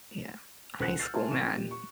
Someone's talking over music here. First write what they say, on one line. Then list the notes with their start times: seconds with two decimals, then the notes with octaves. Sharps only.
Yeah, high school, man,
0.79 D#1 C#2 C5 F#5 F#6 C#7
0.99 E6 F6 G6 A6 C7
1.15 A#4 E5 G#5 A5 C6
1.31 A1 C#6 E7
1.54 A#2 G4
1.71 C#6